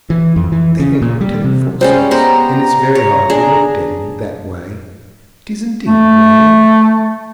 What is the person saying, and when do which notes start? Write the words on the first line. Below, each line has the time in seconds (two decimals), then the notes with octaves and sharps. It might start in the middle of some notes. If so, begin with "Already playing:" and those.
They think I'm telling falsehoods, and it's very hard to be looked at in that way; it is, indeed, Marian.'
0.10 E3
0.36 F2
0.52 E3
0.79 C#3
1.02 A#2
1.21 G3
1.44 C3
1.81 G3 G#3 C#4 C5
2.11 B3 G4 C5 A#5
2.95 C#5
3.30 D4 G#4
5.86 A3